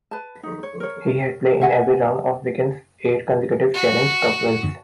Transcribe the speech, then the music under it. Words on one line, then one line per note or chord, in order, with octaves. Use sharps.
He had played in every round of Wigan's eight consecutive Challenge Cup wins.
B4 A5
D#4
C#5
A#4 C#5
E5 F#5 G#5
F#4